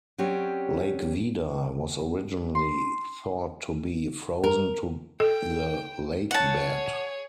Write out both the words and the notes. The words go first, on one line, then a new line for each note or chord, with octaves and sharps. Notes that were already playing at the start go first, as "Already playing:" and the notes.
Lake Vida was originally thought to be frozen to the lakebed.
F#3 C4 C#4 G4 D5
C6
A#4
A4 G5
G#4 C#5 F#5 A5